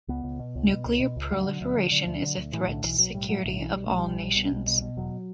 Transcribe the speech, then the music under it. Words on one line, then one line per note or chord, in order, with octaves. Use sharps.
Nuclear proliferation is a threat to security of all nations.
C#2 B3
C#2
B2
C#2
B2
C#2
B2
C#2
D2 F#3
D3
D2
D3
D3
D2
D3
D2
A2 E3
B1 D3
B1 E3
B1 F#3
A2 G3
A2 F#3
B1 D3
B1 E3
B1 G3
B1 A3
G3
B1
B1
B2
B1
B2
B2
E1 F#3